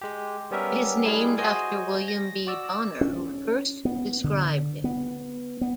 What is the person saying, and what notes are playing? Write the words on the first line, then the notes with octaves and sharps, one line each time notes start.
It is named after William B. Bonnor who first described it.
G#3 G4
G3 B3 C#4 G4 A#4 E5
G3 G#3 E4 G#4
F#4 G#4 C5 D#5 G#5
A#6
F#4 D5 E6
C#4
B3
D3
B3
B3